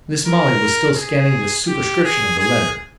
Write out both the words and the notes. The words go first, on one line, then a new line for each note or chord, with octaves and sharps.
Mis' Molly was still scanning the superscription of the letter.
A#4
G#4
G4
G#4
G#4